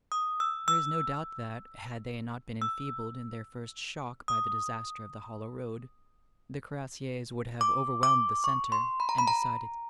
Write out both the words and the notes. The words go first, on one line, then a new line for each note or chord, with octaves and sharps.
There is no doubt that, had they not been enfeebled in their first shock by the disaster of the hollow road the cuirassiers would have overwhelmed the centre and decided the victory.
D#6
E6
E6
E6
D#6
D6
D6
C#6
C6
B5
A#5
B5
A#5